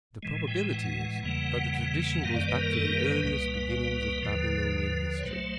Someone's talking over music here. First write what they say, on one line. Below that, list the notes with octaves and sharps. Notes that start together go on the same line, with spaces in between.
The probability is that the tradition goes back to the earliest beginnings of Babylonian history.
A2 E3 G#3
G5
G5
F#5
E2 C#3 E3 G3 A#3 F#5
F#2 D#3 G3 A#3 F5
D5
B4
A#4
A4
A#4
B4
B4
C#2 B2 G3 A#3
D#2 D3 F3 B4
C#5
C2 B2 F#3 A3 C5